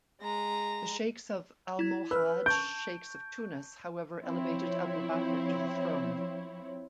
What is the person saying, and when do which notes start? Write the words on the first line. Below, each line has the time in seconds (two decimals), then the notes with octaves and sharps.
The sheikhs of Almohad sheikhs of Tunis however elevated Abu Bakr to the throne.
0.21 G#3 A#5
1.79 E4 G#6
2.11 B4 E6 F6
2.46 A5 C#6 G6 D7
4.22 F3 C4 E4 C#5